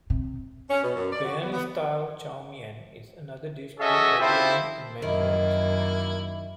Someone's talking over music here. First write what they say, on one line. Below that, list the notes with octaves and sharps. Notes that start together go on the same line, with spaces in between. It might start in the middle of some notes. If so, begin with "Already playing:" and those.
Guyanese-style Chow Mein is another dish cooked regularly in many homes.
C3
C#4
B2
F#2
D5
F#4
B3
B3
C#4 F#4 G#4 A4 D#5 E5
C4 E4 F4 G4 A4 C5
F#2 D#3 A#3 E4